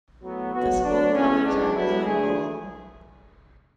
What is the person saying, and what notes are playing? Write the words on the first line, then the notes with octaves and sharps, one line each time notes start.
The school colors are blue and gold.
A2 F#3 B3
B2 F#3 B3 F#4
D3 F#3 A3 D4
C#3 E3 B3 C#4
A2 G#3 B3 D4
A2 F#3 B3 E4
D3 A3 G#4